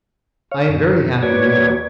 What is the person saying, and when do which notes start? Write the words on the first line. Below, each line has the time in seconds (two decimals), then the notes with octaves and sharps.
I am very happy now.
0.52 C#5 F5
0.69 F#2
1.23 A#3 F#4 B4 C#5 D5 G#6